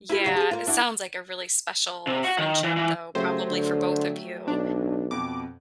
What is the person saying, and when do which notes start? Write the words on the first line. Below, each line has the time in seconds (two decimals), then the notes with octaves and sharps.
Yeah. It sounds like a really special friendship, though, probably for both of you.
0.09 E4 F4 G4
0.24 F#2 C#3 G3
0.36 G4 G#4
0.51 A#3 F4
0.67 D4 E4 F#4
2.07 C3
2.24 F#4 F#5
2.38 D#3
2.64 E3
2.77 E3
3.15 C#3 F#3 A3 G4 C5
3.49 D3
4.48 B1 D4
5.11 F2 B2 D6